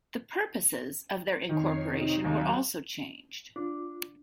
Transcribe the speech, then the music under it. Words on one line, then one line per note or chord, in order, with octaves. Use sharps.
The purposes of their incorporation were also changed.
F2 D#3 C#5 C7
C3 D#4
D#2 F#3 F#4
D4 F4